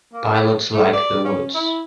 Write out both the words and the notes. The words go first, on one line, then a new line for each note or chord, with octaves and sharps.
Pilots like the woods.
A#3
A3
D5
C#4
E4